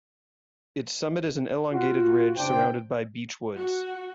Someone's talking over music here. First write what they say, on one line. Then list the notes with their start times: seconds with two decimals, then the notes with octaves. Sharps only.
Its summit is an elongated ridge surrounded by beech woods.
1.73 F4 F#4
2.37 F#1 D4 C5 G5
3.55 F#4